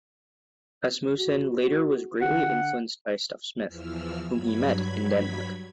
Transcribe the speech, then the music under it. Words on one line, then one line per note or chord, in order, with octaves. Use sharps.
Asmussen later was greatly influenced by Stuff Smith, whom he met in Denmark.
F#4
D3 F#5
E2 E3 F3 E6 F6
G2 F#3 B5 G#6 B6